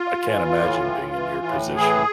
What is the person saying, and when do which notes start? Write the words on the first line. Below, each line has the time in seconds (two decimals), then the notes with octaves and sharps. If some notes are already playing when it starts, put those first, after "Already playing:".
I can't imagine being in your position.
Already playing: F4
0.22 E3
0.53 A2
0.83 E3
1.14 E3
1.45 A2
1.76 E3 G#4